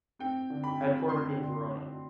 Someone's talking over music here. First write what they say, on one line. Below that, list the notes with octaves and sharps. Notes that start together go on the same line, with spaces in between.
Headquartered in Verona.
C4 G5
D3
B5
C4
D3 C6
D3